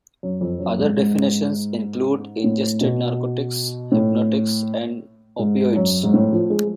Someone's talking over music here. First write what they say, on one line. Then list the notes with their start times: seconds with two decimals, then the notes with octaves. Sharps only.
Other definitions include ingested narcotics, hypnotics, and opioids.
0.23 F#2
0.41 F2
0.59 F#2
0.78 G#2
0.97 G#2
2.44 A2
2.81 B2
3.92 A2
5.39 G#2
5.76 F#2
6.03 G#2
6.14 A2
6.32 F3
6.50 G#3